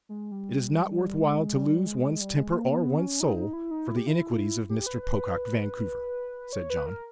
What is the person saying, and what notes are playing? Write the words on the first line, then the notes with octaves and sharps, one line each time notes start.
"It is not worth while to lose one's temper or one's soul for the iniquities of Mr. Pocock Vancouver," said John.
G#3
G3
G#3
G3
G#3
G#3
G3
G#3
A#3
A#3
B3
C#4
D#4
D#4
E4
D#4
E4
G4
E4
G4
B4
B4
C#5
B4
A#4